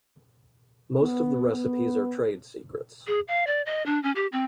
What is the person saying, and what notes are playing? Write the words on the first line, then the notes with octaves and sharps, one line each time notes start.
Most of the recipes are trade secrets.
B3
B3
G#4
F5
D5
D#5
D4
C#4
G4
C4